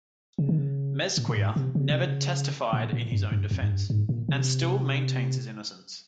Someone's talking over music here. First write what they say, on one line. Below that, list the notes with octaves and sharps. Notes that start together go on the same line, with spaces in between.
Mezquia never testified in his own defense, and still maintains his innocence.
C#3
D#3
C#3
A#2
A#2
G#2
C3
C#3
C3
C#3
A#2
A#2
G2
G2
F2
G#2
G2
G#2
A#2
C3